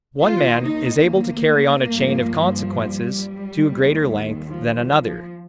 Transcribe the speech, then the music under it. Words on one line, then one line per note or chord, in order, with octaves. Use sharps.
One man is able to carry on a chain of consequences to a greater length than another.
D#2 D#3 F4
D#4
A#3
G2 F3
G3
D#2 D#3
F3
G3
F3